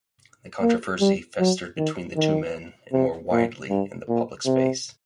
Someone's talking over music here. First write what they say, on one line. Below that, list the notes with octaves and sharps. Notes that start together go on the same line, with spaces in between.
The controversy festered between the two men and more widely in the public space.
A#3
G3
F#3
D#3
D#3
C3
A#2
G2
A#2
C3